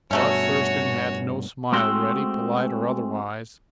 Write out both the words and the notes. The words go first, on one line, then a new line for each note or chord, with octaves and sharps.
But Thurston had no smile ready, polite or otherwise.
G2 B2 F#3 A3 C#4 F#4 C#5
G#3 A3 C4 F#4 C5